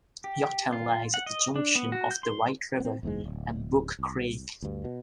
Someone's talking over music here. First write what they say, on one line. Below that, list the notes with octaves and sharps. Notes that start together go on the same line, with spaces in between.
Yorktown lies at the junction of the White River and Buck Creek.
G4
F4
F#5
D#5
D4
B3
F#4
G6
C6
B3 C4
F#1 E2 G#2 G#3
D1
C2
D2 G2
B2